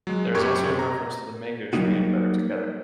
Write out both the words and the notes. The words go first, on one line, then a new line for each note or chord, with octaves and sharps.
There is also a reference to the mango tree in "Better Together".
F#3 G#3
F#2 G4 C#6 G#6
A#5
F#3 G3 A#3 D#4 F#4